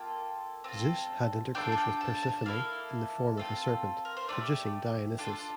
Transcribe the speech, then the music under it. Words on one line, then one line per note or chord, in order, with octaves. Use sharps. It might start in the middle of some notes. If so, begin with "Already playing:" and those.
Zeus had intercourse with Persephone in the form of a serpent, producing Dionysus.
Already playing: A#3 F4 A4 G5
C4 F4 A4
D4 F4 A4 G5
A5
G5
A5
A5
A#3 E4 A4 F5
C4 F4 A4
A#4
C5
A3 D4 G4 D5
D4 F4 A4